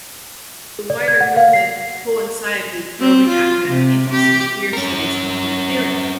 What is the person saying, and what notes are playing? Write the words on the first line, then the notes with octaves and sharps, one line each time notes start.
The wider movement coincided with growing academic interests in queer studies and queer theory.
D5
G#6
F#5
F5
C7
C4
F4
C3
G4
C#4 A#4